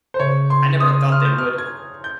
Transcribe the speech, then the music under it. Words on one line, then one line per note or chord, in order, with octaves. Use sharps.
I never thought they would.
C5
C#3 C#5
C6
D#6
F6
G6
F6
G#6
G6